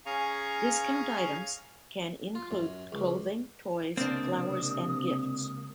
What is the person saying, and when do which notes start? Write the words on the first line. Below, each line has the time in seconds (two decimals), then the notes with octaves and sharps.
Discount items can include clothing, toys, flowers, and gifts.
0.06 C#4 G#4 F5 G#5 A#5 C#6
2.35 F4
2.51 F#2
2.92 C#2
3.97 C#2 C3 A#3 C4 D4 D#6